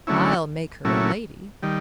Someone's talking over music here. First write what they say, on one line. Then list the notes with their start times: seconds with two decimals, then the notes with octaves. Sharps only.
"I'll make her a lady."
0.07 D3 F#3 A3 C#4 E4
0.85 A#2 F#3 A3 C#4 E4
1.63 D#3 G3